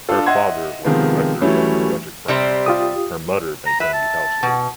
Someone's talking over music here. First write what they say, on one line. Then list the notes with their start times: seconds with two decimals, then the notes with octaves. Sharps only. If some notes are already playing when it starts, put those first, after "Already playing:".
Her father was director of an electric firm; her mother maintained the household.
0.09 D4 F4 A4
0.26 D#5 E5 F#5 C6 G#6
0.85 C3 D#3 F3 G#3 B3
1.41 E3 F#3 G3 A3 C#4 E4
2.28 C3 G3 C4
2.66 F4 G4 D#6
3.66 A#5
3.80 B4 E5
3.94 A5
4.43 B2